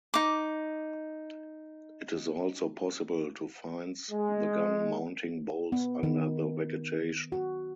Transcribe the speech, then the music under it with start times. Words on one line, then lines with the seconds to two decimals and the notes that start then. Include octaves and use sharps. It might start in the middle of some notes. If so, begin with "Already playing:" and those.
It is also possible to finds the gun mounting bolts under the vegetation.
0.14 D#4 D6
4.11 G#3
5.72 B3
6.03 D#3
7.32 F#4